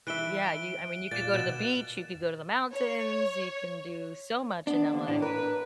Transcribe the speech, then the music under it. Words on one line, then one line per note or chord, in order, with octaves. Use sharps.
Yeah, you I mean, you could go to the beach, you could go to the mountains, you can do so much in LA.
E3 E5 F#6 D7 G7
A#2 D5 A6 E7
B2 E7
C#5
B3 D4
C3 E3 A#3
A2 D4
A#4 B4